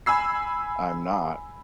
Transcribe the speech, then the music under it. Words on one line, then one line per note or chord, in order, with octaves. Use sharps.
I'm not,
G#5 B5 E6 C7